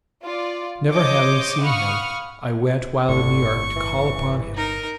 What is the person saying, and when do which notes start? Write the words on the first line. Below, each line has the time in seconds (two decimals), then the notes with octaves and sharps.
Never having seen him, I went while in New York to call upon him.
0.22 F4 D5
0.89 C5 C#5 D#5 D6 G6
1.62 F5 F#5 B5 C#6 D#6 F6
3.09 G1 A2 D3 C#6
3.76 E3
4.54 D#4 A#4